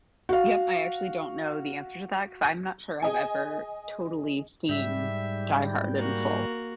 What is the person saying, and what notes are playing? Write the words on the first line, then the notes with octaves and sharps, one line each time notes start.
Yep. I actually don't know the answer to that, 'cause I'm not sure I've ever totally seen Die Hard in full.
F#4 F5
G#4 D#5 G#5
G#2 G3 E5
A#3 F#4